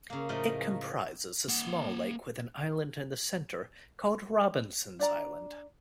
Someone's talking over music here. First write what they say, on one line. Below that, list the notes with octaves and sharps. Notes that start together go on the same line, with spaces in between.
It comprises a small lake with an island in the centre, called Robinson's island.
C#3 A#3
A2 F3 A3 A#4 D#5
A#3 F#5
D4 D5 A#5